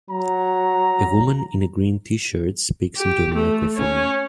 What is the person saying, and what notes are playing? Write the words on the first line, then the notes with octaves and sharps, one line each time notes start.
A woman in a green tshirt speaks into a microphone.
F#3 A#5
G4
A3
C#4